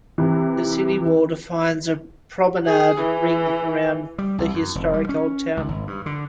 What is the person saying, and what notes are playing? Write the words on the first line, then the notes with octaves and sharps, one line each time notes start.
The city wall defines a promenade ring around the historic Old Town.
C3 E3
G#4
E3
G3
C2
F#2
F1
G3
C#4
C#2
G#1
G2
D3